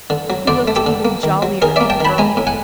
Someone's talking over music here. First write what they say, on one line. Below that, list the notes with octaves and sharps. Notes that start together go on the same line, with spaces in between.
He looked even jollier than the girl.
D3
F#3
D3 C5 D5
A3
G4 A4
D3
A#3
D#3
F#3
D#3 G#4 A#4
A#3 D5 E5
G5 A5
D#3 A5 B5
G#3 G#5 A#5
A2
F#5 G#5